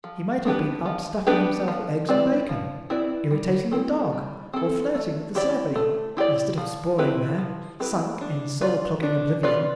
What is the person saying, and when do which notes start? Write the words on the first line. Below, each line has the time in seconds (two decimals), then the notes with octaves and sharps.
He might have been up stuffing himself with eggs and bacon, irritating the dog, or flirting with the slavey, instead of sprawling there, sunk in soul-clogging oblivion.
0.04 F3
0.45 B3 D4 G4 B4
0.86 F3
1.27 B3 D4 G4 B4
1.68 F3
2.09 C4 E4 B4 D5
2.49 F3
2.90 C4 E4 B4 D5
3.31 G3
3.71 C4 E4 A4
4.13 G3
4.53 C4 E4 A4
4.95 A3
5.35 E4 G4 D5
5.76 A3
6.17 E4 G4 D5
6.58 F3
6.98 C4 E4 G4 B4
7.38 F3
7.80 C4 E4 G4 B4
8.21 D4
8.61 F4 B4 D5
9.03 D4
9.43 F4 B4 D5